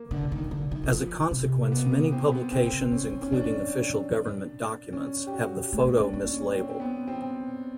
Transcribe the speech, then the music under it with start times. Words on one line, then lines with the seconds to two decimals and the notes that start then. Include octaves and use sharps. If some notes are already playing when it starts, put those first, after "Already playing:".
As a consequence many publications including official government documents have the photo mislabeled.
Already playing: A#3
0.11 D3
0.32 D#3
0.51 D3
0.71 D#3
0.84 E3
0.92 F3
1.31 C3
1.64 A#3
1.72 B3
1.92 B3
2.12 C4
2.32 B3
2.52 C#3 C4
2.64 C3
2.72 C#3
2.92 D#3 C#4
3.13 D#3
3.22 C#4
3.32 F3 D4
4.93 C#4
5.27 G4
5.34 F#4
5.73 A3
5.93 C#4
6.00 D4
6.13 A#3
6.27 C#4
6.53 C4
6.70 C4
6.80 B3
7.07 C4